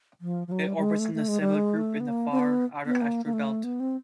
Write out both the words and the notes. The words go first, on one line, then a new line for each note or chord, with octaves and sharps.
It orbits in the Cybele group in the far outer asteroid belt.
F3
F3
F#3
G3
G3
G#3
A3
A3
G#3
G3
G#3
A3
B3
A#3
C4
B3
B3
A#3
A#3
A3
B3
C4